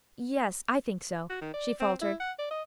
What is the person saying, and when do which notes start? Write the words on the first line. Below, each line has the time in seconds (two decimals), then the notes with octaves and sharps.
"Yes--I think so," she faltered.
1.30 F#4
1.42 D#3
1.54 D5
1.80 C4
2.02 E4
2.20 F#5
2.39 D5
2.51 D#5